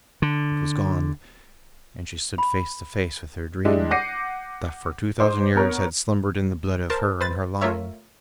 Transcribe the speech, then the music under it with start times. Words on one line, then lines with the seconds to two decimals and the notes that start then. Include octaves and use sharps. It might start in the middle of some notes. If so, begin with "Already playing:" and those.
It was gone, and she stood face to face with her Dream, that for two thousand years had slumbered in the blood of her and her line.
0.22 D3
2.38 B5
3.65 G3 G#3 D4 E4
3.91 F#5 D6 G6 A#6 C7 D#7
5.20 D#4 C5 D6
5.56 B3 A#4 C#5
6.90 A#4 C5 A5
7.21 B4 C5 A6
7.61 A3 F4 A#4 C#5 E5